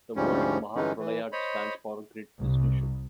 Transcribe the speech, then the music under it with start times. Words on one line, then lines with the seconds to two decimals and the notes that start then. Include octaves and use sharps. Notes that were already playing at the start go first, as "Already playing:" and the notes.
The word Mahapralaya stands for "Great Dissolution".
0.16 D2 G#2 F3 G3 C#4
0.76 G2 D3 E3 G#3 C#4 D#4
0.99 E3
1.32 C5 C#5 D#5 B5
2.40 C2